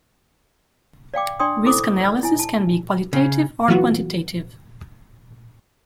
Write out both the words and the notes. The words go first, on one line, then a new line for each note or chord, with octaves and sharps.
Risk analysis can be qualitative or quantitative.
D5 F5 G5 D6
D4 D5 G5 C6 D#6
E4 A4 C5 D6 D#6
D5
E4 G#5
A5
C#3
E3 F#3 B3 F4 F#4